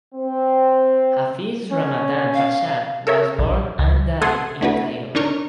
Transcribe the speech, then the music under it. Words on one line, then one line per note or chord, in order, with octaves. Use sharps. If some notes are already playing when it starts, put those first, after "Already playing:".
Hafiz Ramadan Pasha was born and died in Cairo.
C4
C#4
F5
A4 A#4 C#5 E5
A#1
C#2
A3 A4 F#5 C6 D#6 G#6
A3 B3 D4 E4 F#4 B4
D3 D4 D#4 A#4 C#5